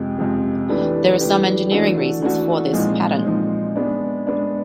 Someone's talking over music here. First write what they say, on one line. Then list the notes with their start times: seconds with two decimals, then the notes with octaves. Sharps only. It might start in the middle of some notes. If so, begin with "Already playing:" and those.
There are some engineering reasons for this pattern.
Already playing: F2 C3 F3 G#3
0.18 F2 C3 F3 G#3
0.69 E3 A3 D4 G4 B4
1.20 E3 A3 D4 G4 B4
1.71 E3 A3 D4 F#4 A4
2.22 E3 A3 D4 F#4 A4
2.73 A#2 F3 G#3 C4 D#4
3.25 A#2 F3 G#3 C4 D#4
3.76 G#3 B3 D4
4.27 G#3 B3 D4